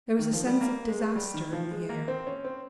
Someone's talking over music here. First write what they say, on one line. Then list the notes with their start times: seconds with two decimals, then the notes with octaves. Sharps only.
There was a sense of disaster in the air.
0.19 D#3
0.33 F3
0.47 G3
0.61 A#3
0.88 G#3
1.16 G3
1.34 D#3
1.53 F3
1.71 G#3
1.89 A#3
2.08 C4
2.27 C#4
2.45 C4